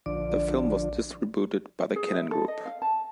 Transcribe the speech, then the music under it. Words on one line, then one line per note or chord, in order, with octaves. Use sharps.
The film was distributed by the Cannon Group.
A#1 D3 F3 D4 D5 D6
G#4
E5
A4
D#5
F5
A5